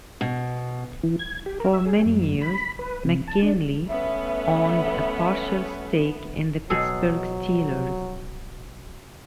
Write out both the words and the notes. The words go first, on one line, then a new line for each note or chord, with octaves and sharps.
For many years, McGinley owned a partial stake in the Pittsburgh Steelers.
B2
E3
G#6
G4
A#4
E5
G#4
F#2
B5
B4
C3
A5
D4
A3 B3 C#4 E5
B2 F#3 G#4 A4